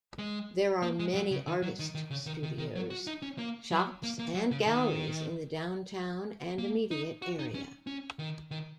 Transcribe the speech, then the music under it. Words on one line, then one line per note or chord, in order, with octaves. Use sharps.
There are many artist studios, shops and galleries in the downtown and immediate area.
G#3
A#3
G#3
F#3
C#3
D#3
F#3
D#3
D#3
C#3
D#3
D#3
D#3
F#3
F#4
D#4
C#4
A#3
F#3
A#3
A#3
F#3
C#3
D#3
A#3
D#4
F#4
D#4
C#4
C#4
D#3
D#3